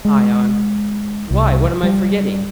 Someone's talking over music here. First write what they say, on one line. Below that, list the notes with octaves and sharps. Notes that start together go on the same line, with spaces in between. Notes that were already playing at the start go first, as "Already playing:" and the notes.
ION: Why, what am I forgetting?
G#3
C2
G3